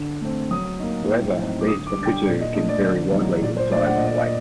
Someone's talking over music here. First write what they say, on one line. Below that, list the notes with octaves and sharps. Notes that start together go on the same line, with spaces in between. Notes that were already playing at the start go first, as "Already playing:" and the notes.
However, these bokuto can vary widely in size and weight.
Already playing: D3
A3 C4
F#3 D#6
A#3 D#4
A2
F#3 C4 D#4
D6
D3 D#6
D6
G3
D4 G5
A#2 D5
D#5
A3 D4 D#5
D5
D3
F#3 A#3 D#4
A#2 D5
C5
A3 D5
D4
F#5
A#2 D#5
D5
D#5